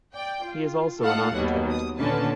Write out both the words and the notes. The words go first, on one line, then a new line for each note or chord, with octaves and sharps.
He is also an architect.
D5 G5
F4
A3 D#4 F4 A4 F5 F#5
D#2 B2 D#3 F#3 G3
D#6
A#2 D3 C#4 B4 A5